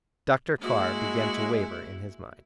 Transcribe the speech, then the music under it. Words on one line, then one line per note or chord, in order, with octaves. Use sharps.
Dr. Carr began to waver in his mind.
G#3 A#3 E4 F#4